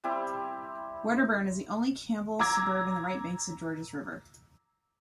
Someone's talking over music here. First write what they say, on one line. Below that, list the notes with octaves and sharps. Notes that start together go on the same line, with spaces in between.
Wedderburn is the only Campbelltown suburb on the right bank of the Georges River.
G3 C4 E4 G4
A#5 D6 E6 G#6